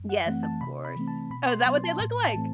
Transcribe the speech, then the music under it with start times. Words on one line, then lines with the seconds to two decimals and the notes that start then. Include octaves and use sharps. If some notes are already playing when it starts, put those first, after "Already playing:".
Yes, of course. Oh, is that what they look like?
Already playing: F#2
0.09 F#5
0.26 E3 A3 C4 F#5
0.43 A5
0.61 C3 B5
0.85 B5
0.96 E3 A3 C4
1.07 A5
1.31 B2 B5
1.48 C6
1.66 F#3 B3
1.84 A5
2.00 A2
2.24 A5
2.35 E3 A3 C4